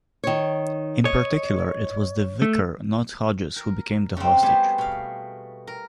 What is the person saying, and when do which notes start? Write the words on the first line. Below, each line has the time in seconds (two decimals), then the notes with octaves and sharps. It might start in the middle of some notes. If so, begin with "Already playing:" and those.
In particular, it was The Vicar, not Hodges, who became the hostage.
0.24 D#3 C#5
1.05 C#5 D#5
2.42 A3
3.56 A#4
4.17 C#3 C4
4.42 G3 A3 B3 G4 G#4 C5
4.78 B2 F5
5.67 A#4